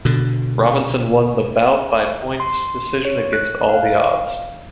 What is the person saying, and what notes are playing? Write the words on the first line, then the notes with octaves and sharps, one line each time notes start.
Robinson won the bout by a points decision against all the odds.
B2 D3
C6
C#5
F#6
F5